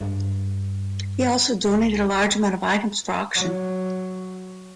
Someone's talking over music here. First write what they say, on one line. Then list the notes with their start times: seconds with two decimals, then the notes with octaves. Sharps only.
He also donated a large amount of items for auction.
0.01 G2
1.66 C2
3.36 F#3